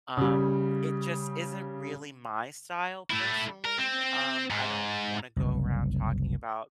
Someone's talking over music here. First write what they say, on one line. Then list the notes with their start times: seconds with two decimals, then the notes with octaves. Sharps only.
um, it just isn't really my style personally? Um, I don't wanna go around talking about
0.17 C#3 G3
3.10 A3 E4
3.65 A#4
3.79 C4
4.50 G#2
5.36 F#1 C2